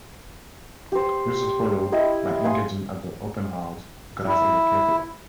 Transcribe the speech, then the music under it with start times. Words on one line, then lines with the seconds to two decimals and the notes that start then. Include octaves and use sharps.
This was followed by engagements at the Opernhaus Graz and the Theater Augsburg.
0.92 G4 C5
1.92 E4 D#5 G5 B5
2.44 F5 G#5 C6 D#6
4.27 E4